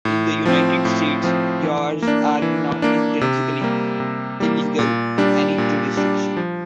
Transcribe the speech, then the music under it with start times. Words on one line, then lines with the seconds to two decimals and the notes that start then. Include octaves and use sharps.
In the United States, yawaras are not intrinsically illegal in any jurisdiction.
0.05 A2
0.46 F3 C4
0.85 A2
1.24 F3 C4
1.63 E3
2.02 A#3
2.08 D4
2.42 E3
2.82 A#3 D4
3.21 C3
3.61 G3 A#3
4.00 C3
4.40 G3 A#3
4.79 A#2
5.18 G3 D4
5.58 A#2
5.97 G3 D4
6.37 F3